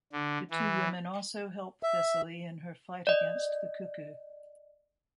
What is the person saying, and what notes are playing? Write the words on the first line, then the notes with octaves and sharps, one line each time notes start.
The two women also help Thessaly in her fight against the Cuckoo.
D3
E3
E5
D5 D#5